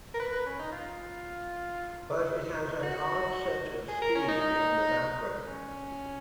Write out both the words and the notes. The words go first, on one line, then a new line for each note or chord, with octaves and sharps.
But it has an odd sense of speed in the background.
A#4
B4
B4
C#4
D#4
F4
F#4
G#4
A#4
C#4
D#4
D#4
C#4